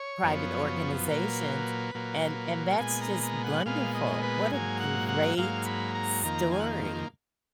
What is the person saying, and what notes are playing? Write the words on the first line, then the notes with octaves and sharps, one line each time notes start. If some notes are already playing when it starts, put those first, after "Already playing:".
private organizations, and and that's just wonderful. What a great story.
Already playing: C#5
F#2 F3 B3
A#2 F#3 A#3 B4
A#2 F#3 A#3
A#2 G#3 B3 G#5
A#5
A#5
F#5
A#2 G#3 B3 F5
D#5
B4
G#2 F#3 A#3 G#5
F#5
F#5
G#2 F#3 A#3 F5
B5
A#5
F2 D#3 A#3 A#5
G#5
F#5